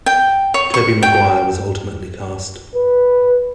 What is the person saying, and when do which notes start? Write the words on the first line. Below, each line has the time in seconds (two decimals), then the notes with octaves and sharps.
Tobey Maguire was ultimately cast.
0.06 G5
0.54 C#5
0.74 C#6
1.03 G5
2.76 B4